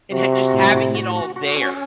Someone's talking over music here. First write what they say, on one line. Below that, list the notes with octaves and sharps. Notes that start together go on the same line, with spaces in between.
and ha just having it all there.
C3 F#4
F#4
A2
A2
F#4
F#4
F#4
C#4